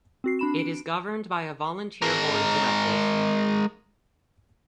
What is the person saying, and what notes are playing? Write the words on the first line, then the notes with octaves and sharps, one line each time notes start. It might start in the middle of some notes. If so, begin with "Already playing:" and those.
It is governed by a volunteer board of directors.
C4 F#4 C7
D4 B5 E7
D7
G#3 A#4